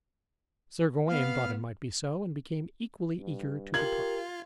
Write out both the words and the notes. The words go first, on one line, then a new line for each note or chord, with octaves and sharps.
Sir Gawain thought it might be so, and became equally eager to depart.
B3 F5
G2
F4 G4 A#4 G#6 F#7